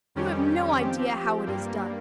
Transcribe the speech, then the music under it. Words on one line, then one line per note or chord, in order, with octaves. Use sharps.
'You have no idea how it is done.
F2 D#3 G3 C#4 G4
F3 C4 G4
G2 G3 A#3